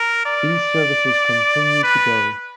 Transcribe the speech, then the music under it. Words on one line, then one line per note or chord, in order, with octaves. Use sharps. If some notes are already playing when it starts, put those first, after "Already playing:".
These services continue today.
Already playing: A#4
D5
B4